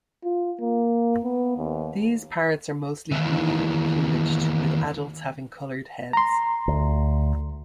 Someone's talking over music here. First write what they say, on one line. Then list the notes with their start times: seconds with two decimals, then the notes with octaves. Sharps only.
These parrots are mostly green plumaged, with adults having coloured heads.
0.24 F4
0.61 A#3
1.24 B3
1.58 D#2
3.11 D#2 E3
6.13 A#5 C6
6.68 D2